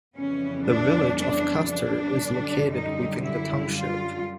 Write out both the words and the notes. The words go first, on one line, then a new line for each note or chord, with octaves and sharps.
The village of Custer is located within the township.
F2 C#3 E3 G3 B3 C#4
D4
D4
D4
F#2 D3 G3
D#4
E4
F4